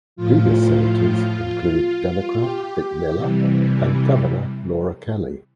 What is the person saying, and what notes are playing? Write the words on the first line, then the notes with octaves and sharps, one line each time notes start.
Previous senators include Democrat Vic Miller and Governor Laura Kelly.
A2 F3 F4
F4
G4
C3 E3 G3